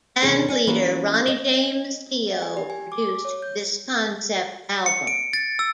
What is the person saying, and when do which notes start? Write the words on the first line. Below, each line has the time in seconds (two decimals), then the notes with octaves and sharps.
Band leader Ronnie James Dio produced this concept album.
0.22 D#2 C3 E3 C4 G#4 C#5
0.48 D5 G#5
0.67 E3 A#3 B3 C#4 E4
1.28 D#5
2.42 G#5
2.57 G4
2.70 G#5
2.92 D6
3.25 C#5
3.42 G6
4.86 C#7
5.07 D7
5.33 A6
5.59 E6